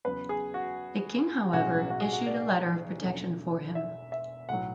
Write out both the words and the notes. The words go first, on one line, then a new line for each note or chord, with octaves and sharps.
The king, however, issued a letter of protection for him.
E2 C#3 F#3 B3 B4
G#4
F#4
B1 A2 G#3 C#4 F#4
F#4
G#4
F#4
D5
E1 E2 D3 A3 C#4
E5
E5
B1 A2 F#3 F#5